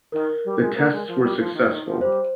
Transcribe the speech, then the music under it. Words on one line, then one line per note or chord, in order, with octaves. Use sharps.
The tests were successful.
D#3 A#4
G3
G#3
A#3
G#3
F3
G3
F3
D#3
D#3
F3
G3 C5